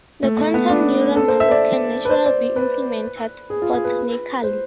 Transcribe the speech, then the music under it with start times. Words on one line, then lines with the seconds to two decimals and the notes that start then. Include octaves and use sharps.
The quantum neuron module can naturally be implemented photonically.
0.23 A3
0.39 A3
0.54 B3
0.70 D4
1.16 A4
1.28 C5
1.40 E5
1.51 D5
2.05 B4
2.10 C5
2.26 D5
2.56 B4
3.50 G#4
3.62 F4
3.73 G#4
3.85 B4
4.43 C5